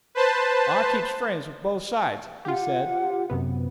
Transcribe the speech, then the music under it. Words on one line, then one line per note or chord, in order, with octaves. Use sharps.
"I keeps friends with both sides," he said.
B4 C5 A5
F4 G4 F#5
F#2 C3 B3